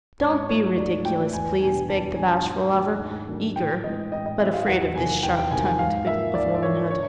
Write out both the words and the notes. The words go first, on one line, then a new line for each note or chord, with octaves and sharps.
Don't be ridiculous, please,' begged the bashful lover, eager, but afraid of this sharp-tongued bit of womanhood.
G#2 C#5
F3 A3 C#5
G#2 D5
F3 A3 G5
E2 G#5
B2 G3 B3 D4 G#5
E2 A5
B2 G3 B3 D4 G#5
G#2
D#3 F#3 A3 D4
G#2
D#3 F#3 A3 D4
A2 G5
E3 G#3 C4 D#5
A2 D#5
D#5
E3 G#3 C4 E5
F5
E2 F#5
C3 D#3 F#3 G#5
E2 G5
G5
C3 D#3 F#3 G#5
G#5
G#2 F5
F3 A#3 E5
G#2 D5
F3 A#3 C#5
D3 C#5